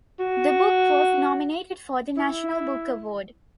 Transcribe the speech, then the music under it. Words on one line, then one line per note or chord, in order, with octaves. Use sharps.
The book was nominated for the National Book Award.
F#4
E4